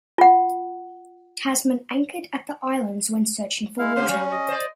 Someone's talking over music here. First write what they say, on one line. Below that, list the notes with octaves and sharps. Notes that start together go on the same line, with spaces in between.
Tasman anchored at the islands when searching for water.
F4 F#5
G#3 E4 F5
D3 C4 G4 C5 C6
F#3 C#4
D#5
C5 D5